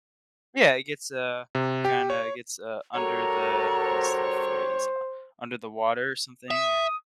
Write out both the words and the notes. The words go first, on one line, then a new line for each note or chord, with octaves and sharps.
Yeah, it gets, uh, kinda gets, uh, under the, what's the phrase u under the water or something,
C3
G4
C#5
G3 D4 F#4 A4 A#4 C#5 A#5
C5
E5 D#6